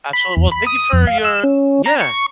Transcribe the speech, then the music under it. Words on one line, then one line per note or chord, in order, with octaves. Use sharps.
Absolutely. Well, thank you for your Yeah.
B5
E2
B5
D#6
F2
F5
E6
C#4
A#5
C#6